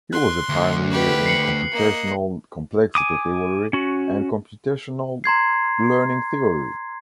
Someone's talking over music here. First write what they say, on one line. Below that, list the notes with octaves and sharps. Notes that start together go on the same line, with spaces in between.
He was a pioneer in computational complexity theory and computational learning theory.
C6 F#6
D2
G4 B4
C7 C#7 F#7
A#3 D#5
G#5 D6 D#6
C#4 F#4
A#5 C6 G#6 C7